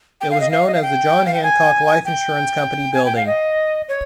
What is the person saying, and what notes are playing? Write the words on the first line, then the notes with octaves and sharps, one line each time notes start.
It was known as the John Hancock Life Insurance Company Building.
G5
F5
D#5
F5
D#5
F5
G5
F5
G5
G#5
G5
G#5
G5
F5
D#5
C#5